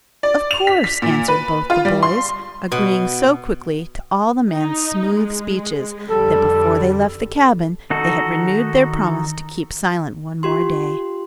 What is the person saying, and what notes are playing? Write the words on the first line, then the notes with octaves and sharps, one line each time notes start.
"Of course," answered both the boys, agreeing so quickly to all the man's smooth speeches that, before they left the cabin, they had renewed their promise to keep silent one more day.
D5
F7
B6
B6
A#2
B4
F4
G3
C6
B2
D#4
G#3
F2 D3 G3 A4
D#3 D#4 F#4 A4
F4 G4 C6